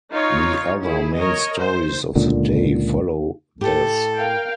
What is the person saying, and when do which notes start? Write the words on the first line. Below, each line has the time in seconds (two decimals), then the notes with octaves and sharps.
The other main stories of the day follow this.
0.12 D#4 F4 C#5
0.83 E4 G#4
1.18 A#4 C#5 D#5
1.59 C5
2.16 C#2 A#2 D3
3.61 A2 A3 G4 A4
4.16 A#4 F5 G5